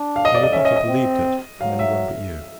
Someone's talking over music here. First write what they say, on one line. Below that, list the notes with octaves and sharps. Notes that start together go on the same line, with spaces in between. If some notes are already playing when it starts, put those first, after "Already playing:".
I would not have believed it, from any one but you!
Already playing: D4
F5
D#5
D5
D#5
C#4 E5
D#5
D#5
C4
F#3 F5
E5